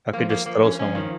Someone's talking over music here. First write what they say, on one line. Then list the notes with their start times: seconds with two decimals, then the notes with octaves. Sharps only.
Hulk could just throw someone.
0.13 F3 A#3
0.30 A#3
0.46 F3 A#3
0.63 C#4
0.78 F3 C#4
0.95 D#3